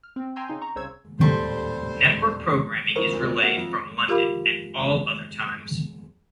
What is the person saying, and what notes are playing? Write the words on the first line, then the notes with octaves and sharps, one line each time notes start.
Network programming is relayed from London at all other times.
F6
C4
G5 G#5 A#5 C6 E6 G6
C#3 D#4 C6
A#5 C#6
C2 C#3 C5 C#5 E6 G#6
D#1 E2 A2 G3 G4 A4 C5 C6
F2 E4 A#4 C5 C#6
D2 A#2
A#3 F#4 E5
F2
F4 G4 A#4 F5 B5 D6